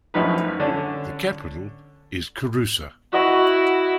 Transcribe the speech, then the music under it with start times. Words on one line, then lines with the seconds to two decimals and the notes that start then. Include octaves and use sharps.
The capital is Kouroussa.
0.14 A1 F#2 F3 D#4 B4
0.60 D3 C#4 D4
3.13 E4 F#4 D#5 C#6